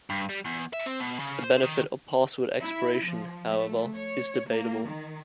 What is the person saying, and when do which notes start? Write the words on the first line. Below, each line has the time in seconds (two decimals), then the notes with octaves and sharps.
The benefit of password expiration, however, is debatable.
0.10 G2
0.29 G3
0.45 E2
0.73 E5
0.86 C4
1.00 B2
1.20 C#3
1.44 C5
1.64 D#3
2.61 E4
3.05 F3
3.50 A3
3.95 C#5
4.49 A#3
4.86 D#3